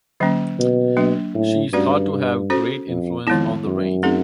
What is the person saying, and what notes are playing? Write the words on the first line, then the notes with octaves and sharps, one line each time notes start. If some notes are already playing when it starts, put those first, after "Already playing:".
She is thought to have great influence on the rain.
D3 F#3 A#3 C#4
B2
F#3 A#3 D4
A2
G2 A3 C#4 F#4 B4 D5
C#4 F#4 A4 C5
F2
F2 D#3 G#3 B3 E4
F#2
A3 C4 D#4 G#4